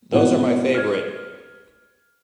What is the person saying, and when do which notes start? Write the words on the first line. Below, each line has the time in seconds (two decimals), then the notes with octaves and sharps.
Those are my favorite.
0.12 G#1 B2 E4 C#5 F#5
0.75 F6 G#6